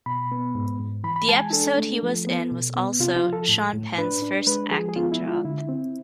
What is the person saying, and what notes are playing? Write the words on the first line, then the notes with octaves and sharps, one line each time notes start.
The episode he was in was also Sean Penn's first acting job.
B2 B5
B3
G#2
G#2
E3 B5
B5
G#3 A5
G#5
D4 A4
A3
F3
B3
B2
B3
C3 F4
F4
F3
A4
A2
A2
D4 B4
D4
G#3 B4
F3 G#4
G#4
B3 F4
E4
G#3
F4
D3 E4
C4